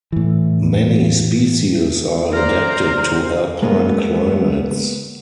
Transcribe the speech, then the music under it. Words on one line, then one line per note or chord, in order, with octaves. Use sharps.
Many species are adapted to alpine climates.
A2 E3
C5 D5 A#5 F6
G#3 A#3 B3